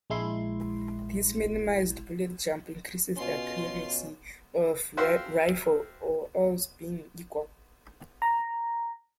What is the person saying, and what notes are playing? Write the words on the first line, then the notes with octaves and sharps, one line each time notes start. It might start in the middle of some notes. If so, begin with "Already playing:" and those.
This minimized bullet jump increases the accuracy of the rifle, all else being equal.
A#1 G#3 E4 C6
B2 C#4 F4 C6
F#4 C5 E5 F5 G5 C6
A#5